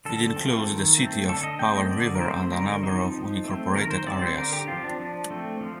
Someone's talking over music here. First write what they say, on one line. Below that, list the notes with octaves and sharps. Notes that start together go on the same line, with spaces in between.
It includes the City of Powell River and a number of unincorporated areas.
D3 A4
F3 A3 C4
D#3
A3 C4
D3 A4
D#5
A3 C4 G5
D#5
D3 D5
A#4
A3 C4 C5
D3 A#4
F3 C4 D#4
F3
A3 C4
D#3 A#4
C5
G3 C4 D5
C5
D3 A#4
G4
F3 C4 F4
D4
F3
A3 C4
F3